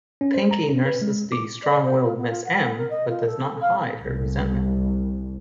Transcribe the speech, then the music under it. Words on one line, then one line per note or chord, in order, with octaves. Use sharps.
Pinky nurses the strong-willed Miss Em, but does not hide her resentment.
C#4
C5
A#5
C#4
B4
G#3
D6
D5
C5
F4
B3
F4
F#5
A#4
D#5
F4
A4
F5
C2